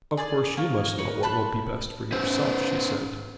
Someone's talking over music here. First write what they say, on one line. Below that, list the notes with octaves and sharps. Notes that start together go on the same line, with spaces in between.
"Of course you must know what will be best for yourself;" she said.
G#4 D5 G#5
A#3 C#5
A#4 B4 C#5
A5 B5 C6 F#6
C#4 B4 C5